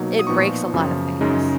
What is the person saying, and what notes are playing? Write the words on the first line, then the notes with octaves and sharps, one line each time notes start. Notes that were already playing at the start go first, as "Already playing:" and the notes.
it breaks a lot of things,
Already playing: B2 F#3 A#3 D#4
D#6
A#2 F3 B3 D#4 C#6
F#2 C#3 F3
F#2 C#3 G#3 D#4